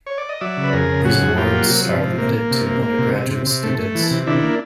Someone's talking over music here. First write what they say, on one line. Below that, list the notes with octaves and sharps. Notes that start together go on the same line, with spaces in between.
These awards are limited to undergraduate students.
C#5
D5
D#5
F#3 D5 E5
C#3
B4
F2 G#4 A#4
C#3
F#3 F#4 G#4
F2
A#3 F4 G4
F#3
C3
F3
C3
A#3
A#3
C3
A#3
A#3
C3
C3
C3
C3
A3
A3
E3
C3
D#3 D4 E4
A#3